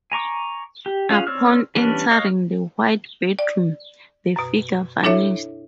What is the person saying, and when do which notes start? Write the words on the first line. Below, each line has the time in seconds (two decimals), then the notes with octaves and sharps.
Upon entering the White Bedroom the figure vanished.
0.12 G#5 A#5 C#6 D6
0.86 G4
1.10 C#4 F4 G#4 F5 F#5
1.27 C4 C#5 D5 E6 F6
1.75 E3 G3 B3 C#4 D4
2.11 F#4 C#5 D#5 F5 F#5
3.39 D5
4.36 F#2 B2
5.04 D4 E4 A4 C#5 E5